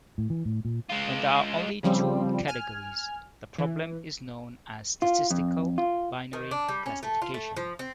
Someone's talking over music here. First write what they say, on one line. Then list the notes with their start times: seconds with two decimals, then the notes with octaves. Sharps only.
When there are only two categories the problem is known as statistical binary classification.
0.18 A2
0.30 E3
0.45 A2
0.65 A#2
0.89 G#3 F4
1.83 C#3 F3 G3 C4
2.48 G#5 F6
3.58 E3
5.02 F4
5.31 F2
5.78 F4
6.33 D#3
6.51 D4
6.69 G3
6.86 C#4
7.03 A3
7.22 F4
7.34 A3
7.57 F3
7.79 C4